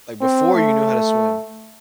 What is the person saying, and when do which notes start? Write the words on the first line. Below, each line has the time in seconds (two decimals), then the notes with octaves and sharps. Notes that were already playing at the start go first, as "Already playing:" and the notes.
like, before you knew how to swim,
0.21 C4
0.55 A3